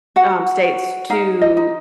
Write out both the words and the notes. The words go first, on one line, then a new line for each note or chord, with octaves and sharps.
um, states to
F#4 F#5
F#4
D#4 F5
D#5
D#4